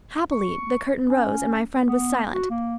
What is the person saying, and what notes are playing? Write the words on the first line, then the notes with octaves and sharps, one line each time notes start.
Happily, the curtain rose and my friend was silent.
C#6
C#4
B3
F#4
A#3